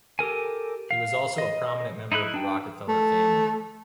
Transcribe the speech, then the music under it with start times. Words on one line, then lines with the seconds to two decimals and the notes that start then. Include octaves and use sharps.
He was also a prominent member of the Rockefeller family.
0.19 G4 A4 A#4 G#5
0.91 F5
1.38 D#5
2.12 D#4 E4 B5 F#6
2.34 D4 G5
2.88 A3